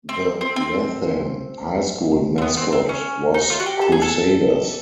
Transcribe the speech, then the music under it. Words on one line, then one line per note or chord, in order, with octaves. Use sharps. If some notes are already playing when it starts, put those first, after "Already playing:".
The Latham High School mascot was Crusaders.
C4
C4
C4
C4
B3
C4
C4
C#4
D#4
F4
F#4
G4
A4
G#4
A4